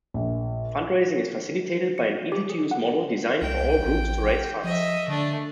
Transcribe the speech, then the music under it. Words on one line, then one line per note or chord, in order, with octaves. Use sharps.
Fundraising is facilitated by an easy-to-use model designed for all groups to raise funds.
A#1
C#7
G4
G#4
F#5
C2 G5
A1
F3 D#5 E5
D3 A3 D4